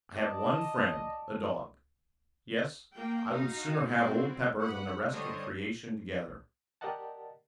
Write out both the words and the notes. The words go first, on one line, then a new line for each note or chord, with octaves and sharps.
I have one friend, a dog; yes, I would sooner have old Pepper than the rest of Creation together.
D5 D#5 A5 D6
A#3 G5
D#4 F#4 F5
G3 C4 E4 F#4
F#5 B5
D3 G3 D4 C5 C#5 D#5
G4 A#4 D5 D#5 F#5 A5